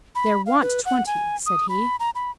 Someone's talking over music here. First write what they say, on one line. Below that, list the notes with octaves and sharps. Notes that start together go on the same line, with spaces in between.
"There want twenty," said he.
B5
F5
B4
F#5
G#5
D#6
B5
A#5
B5